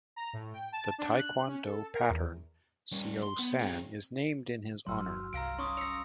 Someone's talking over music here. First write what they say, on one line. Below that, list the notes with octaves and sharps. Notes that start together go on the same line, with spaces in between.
The Taekwon-Do pattern Seo-San is named in his honor.
A#5
A2
G5
A5
D4
F#6
C#4
A4
A#4
E2
G3 C#4
C6
B3
C4 G#4
G1 F#3 C6 E6 F6
C2 F5 A#5 A#6 D7
C#4 C6 C#6 D#6
C#4 E6 A#6 C#7 F7